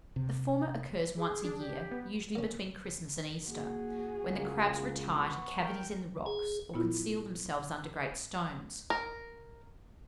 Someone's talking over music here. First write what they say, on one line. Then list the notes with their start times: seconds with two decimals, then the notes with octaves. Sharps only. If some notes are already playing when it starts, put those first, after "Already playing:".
The former occurs once a year, usually between Christmas and Easter, when the crabs retire to cavities in the rocks, or conceal themselves under great stones.
0.16 C3
1.16 G#4
1.45 D4
1.58 G4
1.92 B3
2.35 A#3 C#4
3.48 A#3 F#4 G#4
4.29 C#2 A#3
5.15 B3 C#6
5.61 A#4 G5
6.26 G#4
6.74 A#2 B3 E4 F4
8.90 A#4